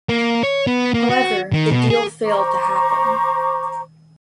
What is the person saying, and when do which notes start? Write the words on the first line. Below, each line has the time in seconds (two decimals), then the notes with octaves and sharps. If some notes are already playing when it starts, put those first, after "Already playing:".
However, the deal failed to happen.
0.09 A#3
0.43 C#5
0.67 B3
0.94 A#3
1.09 F#4
1.53 D#3
1.71 B2
1.90 G#4
2.25 C5 A#5 C#6 D6